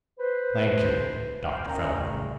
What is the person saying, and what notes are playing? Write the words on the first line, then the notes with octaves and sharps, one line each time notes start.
"Thank you, Dr. Feldman."
B4 C5
F5 G5
C#4 A#4 D#5 G5 G#5 A#5
A2 C#3 G3 A3